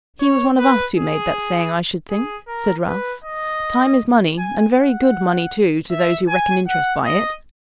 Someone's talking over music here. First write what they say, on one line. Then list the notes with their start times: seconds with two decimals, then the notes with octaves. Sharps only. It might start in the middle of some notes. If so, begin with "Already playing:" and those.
'He was one of us who made that saying, I should think,' said Ralph. 'Time is money, and very good money too, to those who reckon interest by it.
0.19 C#5
0.58 B4
0.96 G#4
2.10 G#4
2.48 A#4
2.87 B4
3.24 D#5
4.39 G#5
4.77 F#5
5.90 E5
6.29 G#5
6.68 F#5
7.05 D#5